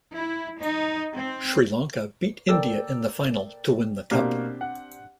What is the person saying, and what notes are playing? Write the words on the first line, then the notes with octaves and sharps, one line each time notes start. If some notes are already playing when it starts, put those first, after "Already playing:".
Sri Lanka beat India in the final to win the cup.
E4
D#4
C4
A#3 A4 D5 G5 E6
B2 A#3 C4 D4 G4
F#5